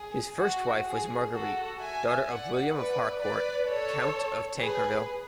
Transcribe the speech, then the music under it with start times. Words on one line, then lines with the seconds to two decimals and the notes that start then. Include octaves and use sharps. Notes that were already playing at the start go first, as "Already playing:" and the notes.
His first wife was Marguerite, daughter of William of Harcourt, Count of Tancarville.
Already playing: G#4
0.40 F#4
0.87 G#4
1.33 F#4 A4
1.80 E5 G#5
2.26 D5 F#5
2.73 B4 D5
3.20 B4 D5
3.66 A4 C#5
4.60 G#4 B4